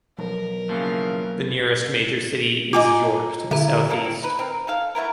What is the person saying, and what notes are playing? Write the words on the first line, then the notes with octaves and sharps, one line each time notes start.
The nearest major city is York, to the south-east.
B1 F3 A#4
C#3 E3 F3 A#3
D#4 F4 G#5 D6
D3 E4 A#5
A3 A#3 A4 A#4
C4
D#4 B4
C4 A#4
D#4 A4 F5
A3 B3 E4 A#4